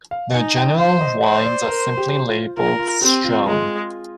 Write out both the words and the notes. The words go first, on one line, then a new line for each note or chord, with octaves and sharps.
Their general wines are simply labelled Strewn.
F5
D#4 G#5
G5
C5 F5
D#5
C5 D#5
D5
A#4
G4
F4
F4 A#4
F4
C4 G4
F4
G#3 F4